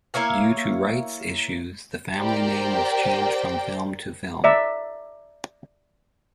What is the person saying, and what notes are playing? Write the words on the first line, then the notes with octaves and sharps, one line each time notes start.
Due to rights issues, the family name was changed from film to film.
A#3 E4 C#5 F5
G4 A#4 C5 D5 G5
D5 E5 A#5